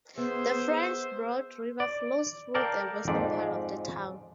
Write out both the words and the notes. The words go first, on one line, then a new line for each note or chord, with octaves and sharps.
The French Broad River flows through the western part of the town.
B3 G#4 C5 E5
D5
A4 A#4 D5 F5 G5
F2 G#2 D5